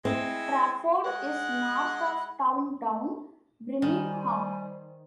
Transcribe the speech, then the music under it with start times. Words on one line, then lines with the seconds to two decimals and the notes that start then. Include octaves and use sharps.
Trafford is north of downtown Birmingham.
0.05 G#3 C4 E4
1.05 G#3 F#5
3.82 D#3 G3 C5 D5 G#5